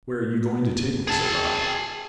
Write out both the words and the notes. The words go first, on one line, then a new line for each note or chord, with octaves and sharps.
'Where are you going to take me?' said Bob.
G#4 A5